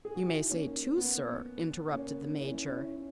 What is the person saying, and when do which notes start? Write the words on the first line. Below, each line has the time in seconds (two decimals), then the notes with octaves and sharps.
"You may say two, sir," interrupted the Major.
0.05 G#4
0.16 F#4
0.27 E4
0.39 D#4
0.50 A#3 C#4
0.86 A#3
0.97 B3
1.92 A#3 C#4
2.40 C#4 E4
2.70 C#4 E4